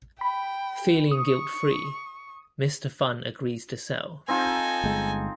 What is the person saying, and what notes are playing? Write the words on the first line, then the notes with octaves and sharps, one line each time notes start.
Feeling guilt-free, Mr. Fun agrees to sell.
G5 B5
C#6 D#6
C4 D#4 F4 A4 G#5
G1 G#3